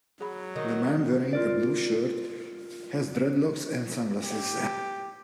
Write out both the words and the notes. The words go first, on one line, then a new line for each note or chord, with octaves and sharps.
The man wearing a blue shirt has dreadlocks and sunglasses.
F#3 G#4 B5
D#3 D#5
F4 A#4 D5
G4